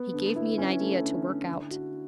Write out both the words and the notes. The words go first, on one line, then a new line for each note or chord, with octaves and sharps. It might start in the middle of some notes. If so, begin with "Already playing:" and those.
He gave me an idea to work out.
Already playing: B3
D3
E4
C#4
A3
D3
E4
D3
F#4